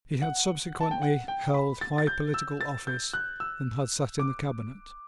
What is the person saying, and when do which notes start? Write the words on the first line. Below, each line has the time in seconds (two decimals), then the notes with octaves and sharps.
He had subsequently held high political office, and had sate in the Cabinet.
0.22 F#5
0.81 A5
0.91 G5
1.02 F#5
1.28 G5
1.54 B5
1.81 A6
1.98 A6
2.07 G6
2.34 E6
2.61 A6
2.87 G6
3.13 F#6
3.40 E6
4.19 D6